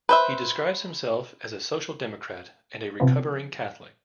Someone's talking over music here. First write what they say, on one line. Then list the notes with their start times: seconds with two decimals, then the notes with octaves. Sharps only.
He describes himself as a social democrat and a "recovering Catholic".
0.09 B4 C5 E5
3.00 C3 F3 B3